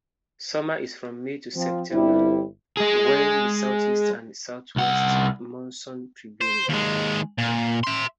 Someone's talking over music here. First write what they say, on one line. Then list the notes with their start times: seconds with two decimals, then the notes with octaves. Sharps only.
Summer is from May to September, when the southeast and southwest monsoon prevailing.
1.56 F3 C4
1.91 G1 G3 C4 E4
2.77 G#3 G#4
4.76 C2 F#5
6.41 C5
6.69 D#2 G#3
7.38 A#2
7.84 E5 C6